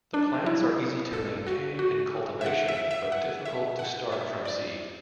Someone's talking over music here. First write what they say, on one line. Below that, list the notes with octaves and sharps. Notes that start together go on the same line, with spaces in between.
The plants are easy to maintain in cultivation but difficult to start from seed.
D4
E4
A4
F#4
F#4
E5
F#5
E5
E5
F#5
E5
F#5
E5
D5